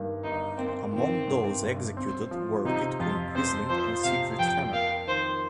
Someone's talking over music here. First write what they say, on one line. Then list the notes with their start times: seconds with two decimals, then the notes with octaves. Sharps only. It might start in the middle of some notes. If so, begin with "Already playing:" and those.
Among those executed were Vidkun Quisling and Siegfried Fehmer.
Already playing: G2 D#3 A#3
0.23 G1 D#4
0.58 A#3 C4
0.93 D#3 C4
1.28 G2
1.62 G1
1.97 C4
2.31 F3
2.65 C3 D#4
3.00 F2 F4
3.35 C4 C5
3.69 F3 C5
4.04 C3 F5
4.39 F2 G5
4.73 A#3 F5
5.07 D#3 C5